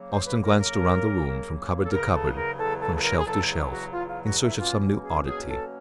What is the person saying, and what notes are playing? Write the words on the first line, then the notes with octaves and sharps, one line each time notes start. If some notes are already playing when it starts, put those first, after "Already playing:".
Austin glanced around the room from cupboard to cupboard, from shelf to shelf, in search of some new oddity.
Already playing: C#3 F#3 A#3
C5
B4
A#4
C#3 F#3 A#3 A#4
C#3 F#3 A#3
A4
E2 C#3 F#3 A#4
A4
A#4
E2 C#3 F#3 A4
A4
A4
A#4
G#4
E2 C#3 F#3 A4
F#4
E2 C#3 F#3 F4
F4
F#4
E4
B2 F#3 A#3 C#4 F4
G4
G#4
B2 F#3 A#3 C#4 G#4
A4